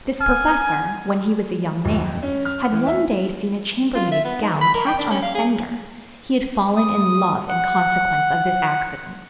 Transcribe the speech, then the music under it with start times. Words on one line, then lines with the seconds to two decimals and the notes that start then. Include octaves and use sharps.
This professor, when he was a young man, had one day seen a chambermaid's gown catch on a fender; he had fallen in love in consequence of this accident.
0.21 G#5 F6
1.85 D#1
2.04 F2
2.23 C#4
2.45 F6
2.72 E3
2.87 E5
3.95 F4
4.12 E5
4.25 B3
4.42 D#4
4.61 B5
4.75 A#4
4.87 G5
4.98 D4
5.10 C#4
5.22 F5
5.35 G#4
6.76 D#6
7.48 F#5